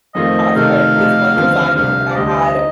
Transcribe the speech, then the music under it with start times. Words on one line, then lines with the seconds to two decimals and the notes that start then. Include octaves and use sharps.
past or this one lasagna that I had,
0.15 F2 D#3 A3 C4 F4 D#5
0.55 C3 D#3 A3 D#4 A4 F5
0.95 C3 F3 A3 D#4
1.36 D#2 D3 F3 C4
1.75 C2 C3 G3 D4 F5
2.11 D5
2.15 D2 D3 G3 D4 G4 D#5
2.56 D#4